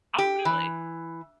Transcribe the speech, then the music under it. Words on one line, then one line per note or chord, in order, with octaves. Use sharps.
Oh, really?
G4
E3